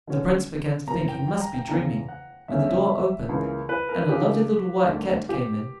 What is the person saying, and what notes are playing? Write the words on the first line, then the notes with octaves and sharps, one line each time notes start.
The Prince began to think he must be dreaming, when the door opened, and a lovely little White Cat came in.
D3 F#3 C#4 F#4
F#1 F#2 E3 A#5
G5
G5
A#5
G5
E2 C#3 E3 A#5
F#5
E2 C#3 G3 C#4 E5
E5
E5
C#2 C#3 E3 A#3
B4
A#4
C#3 E3 A#3 D4 G4 A#4
D2 D3 G3
G4